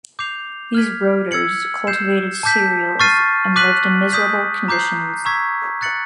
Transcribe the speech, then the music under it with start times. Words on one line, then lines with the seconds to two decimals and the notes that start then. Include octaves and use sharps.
These "roters" cultivated cereals, and lived in miserable conditions.
0.19 D6 G6 C7 F7
0.75 F6 G#6 B6
1.31 E6 G#6 C#7 F#7
1.87 G6 C7 E7
2.43 A5 D6 G6 B6
3.00 C#6 F6 A6 C7 D#7
3.56 D6 F#6 B6 D#7 F#7
4.12 D#6 G6 B6
4.68 A#5 D6 G6 C7
5.25 A#5 C#6 E6 G#6 B6
5.81 F#6 A6 C#7 F#7